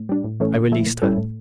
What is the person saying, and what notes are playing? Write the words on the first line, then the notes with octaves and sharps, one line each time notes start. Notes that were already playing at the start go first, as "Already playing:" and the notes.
I released her.
Already playing: A2
G3 D4
A2
E3 A3 C#4
D3
F3 A3 E4
A#2
G3 C#4 E4 A4
A2